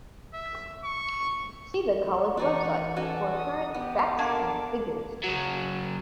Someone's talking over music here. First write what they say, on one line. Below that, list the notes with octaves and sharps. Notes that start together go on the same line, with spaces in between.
See the college website for current Facts and Figures.
E5
C#6
E3 D#4 F#4 D5 G#5 C#6
C#4 F#4 A4 D5 G#5
D#6
B3 G4
A#3 D4 A4 A#4 G#5 D6
C#3 F#3